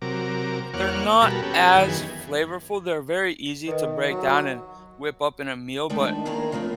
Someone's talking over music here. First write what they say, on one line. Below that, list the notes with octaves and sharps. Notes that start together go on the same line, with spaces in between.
They're not as flavorful, they're very easy to break down and whip up in a meal, but
C3 F#3 A#4 D6
E2 A#3 C#5 F#5 D6 F6
B2 G3 F#4 A4 A#4 B5
B3 C#4 G4 A4
F#2 D#3 E3 B3 G#4
D#3 B4 D#5
F#3
D#3 G#3 A3 D4 D#4
E2 D#3 A#3 G#4 A#4 A#5
C#3 F3 A3 C4